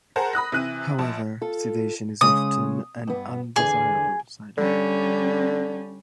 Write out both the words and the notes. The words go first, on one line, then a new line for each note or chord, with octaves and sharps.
However, sedation is often an undesirable side effect.
G#4 A#4 C5 F#5 A5 A#5
B5 D#6 F#6 A#6
C3 E3 F#6 D#7
A#1 A5
F4 A4
C#3 G#3 C#4 D#6
G2 B3
E2 D3 G#4 G#5
D3 G3 C#4